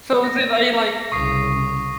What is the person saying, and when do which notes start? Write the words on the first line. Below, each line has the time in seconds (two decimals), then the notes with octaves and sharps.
So is it, like like,
0.24 A#6
1.12 C2 C#3 C#6 D#6 C7